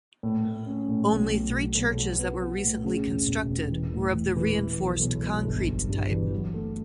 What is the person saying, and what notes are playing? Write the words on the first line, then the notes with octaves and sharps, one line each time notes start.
Only three churches that were recently constructed were of the reinforced concrete type.
A2
A2
C#4
A2
B1
B1
F#3
B1
F#3
B3
B3
A2
C#3
E1
E1
E1
E3
A2
E3
E3
E3
B1
B1
B1
G1
G1
G2
E3
F#3
A3